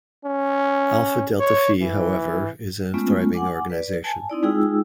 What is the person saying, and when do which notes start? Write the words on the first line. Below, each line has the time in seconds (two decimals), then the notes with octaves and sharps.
Alpha Delta Phi, however, is a thriving organization.
0.25 C#4
1.40 C#5
1.81 E3
2.94 G#3 A3 B3 C#4 F4
3.34 F#5 G#5 D6
3.70 B4 D5
4.04 G#5 A5
4.30 C4 D#4 E4 D5
4.42 G#3 D#4 F4 G#4 G5 E6